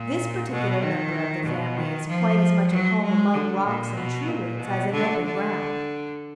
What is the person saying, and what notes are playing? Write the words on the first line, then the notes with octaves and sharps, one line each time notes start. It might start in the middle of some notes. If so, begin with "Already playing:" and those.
This particular member of the family is quite as much at home among rocks and tree roots as in open ground.
Already playing: A#2
B2
D#3
B2
D#3
F3
F#3
G#3
D3
A#2
B2
A#2
B2
D3
D3